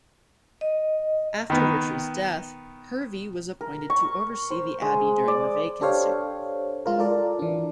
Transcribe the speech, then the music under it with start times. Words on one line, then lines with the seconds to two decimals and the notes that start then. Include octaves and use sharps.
After Richard's death, Hervey was appointed to oversee the abbey during the vacancy.
0.61 D#5
1.50 D#3 B3
3.61 A#4
3.90 C#6
4.51 C5
4.82 G#3
5.28 D5
5.81 D4 G4 A4 C5 C#5 F5
6.86 G#3 F4 A#4
6.99 F4 A4 A#4 D5
7.39 E3 D4